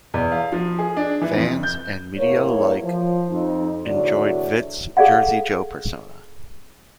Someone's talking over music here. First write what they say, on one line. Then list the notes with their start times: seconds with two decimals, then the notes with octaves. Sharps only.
Fans and media alike enjoyed Vitt's "Jersey Joe" persona.
0.14 E2
0.32 F5
0.52 F3
0.78 G#4
0.97 D4
1.21 E3
1.36 F2
1.63 G6
2.17 E2 A2 A#3 C#5
2.83 F3
3.29 F2 D#4
3.84 E2 A2 D3 D4 F#4 D5
4.97 G#4 A4 D5 F5 F#5